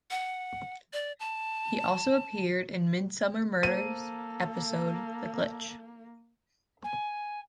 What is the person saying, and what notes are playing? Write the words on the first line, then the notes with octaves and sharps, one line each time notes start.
He also appeared in the "Midsomer Murders" episode "The Glitch".
F#5
D5
A5
A#3 A4 C5 D#7
G#5